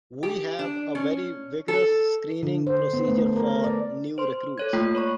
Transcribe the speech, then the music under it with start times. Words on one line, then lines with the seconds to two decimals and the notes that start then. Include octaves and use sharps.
We have a very vigorous screening procedure for new recruits.
0.23 G4
0.59 D4
0.95 C#4
1.68 A4
2.43 D3
2.67 C5
2.93 B3
3.08 A3
3.36 A#4
3.64 D5
4.18 C5 C6
4.58 A4 C#5 G#6
4.73 A3 A#3 F4 G5
4.95 C#5 B5 C#6